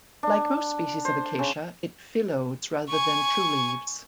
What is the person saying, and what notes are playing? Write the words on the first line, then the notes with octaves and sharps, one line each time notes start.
Like most species of "Acacia" it phyllodes rather than true leaves.
D4
C5
C#3
G#5 C#6